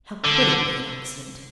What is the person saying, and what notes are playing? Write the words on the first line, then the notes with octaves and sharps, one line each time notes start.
How could it be an accident?
D3